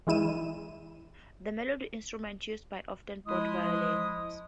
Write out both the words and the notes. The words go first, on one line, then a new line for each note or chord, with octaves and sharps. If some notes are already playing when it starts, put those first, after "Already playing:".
The melody instruments used are often both violins.
E3 G#3 E4 D#7 E7
F3 G#3 E4 D#6